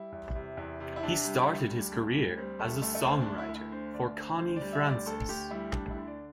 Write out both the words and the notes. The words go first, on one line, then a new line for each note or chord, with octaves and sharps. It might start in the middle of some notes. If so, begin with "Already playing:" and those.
He started his career as a songwriter for Connie Francis.
Already playing: G3 E4
E2
C3
E2
C3
E4
C3 D4
G3
G3
D2
D2
G3
G3 C4
D2 A3
D2 A3
A3
D2 C4
D4
D2
E4
D2
E4
D3 C5
D2 D5
D3 C5
D2 C5
D5
G3
E5
D2
D5
D2 A4
D2 G4
G3 E4
D2 D4
D4
E4
D3
D5